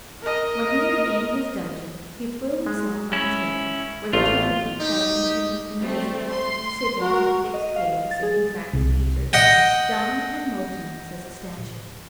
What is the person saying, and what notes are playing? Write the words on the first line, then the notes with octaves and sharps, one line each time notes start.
When he regained his dungeon, he threw himself on his bed, where the turnkey found him in the evening visit, sitting with fixed gaze and contracted features, dumb and motionless as a statue.
A#4 D#5
G#3
C#4 E4
A1 A3 A#3 F4
D#4 G4
G3 A3 C4
C6
F#4 A#4
D#5
F5
A6
G#4
C2
D#5 F#5 G5